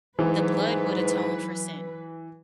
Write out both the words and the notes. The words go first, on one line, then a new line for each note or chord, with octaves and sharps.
the blood would atone for sin,
G#2 E3 F#3 B4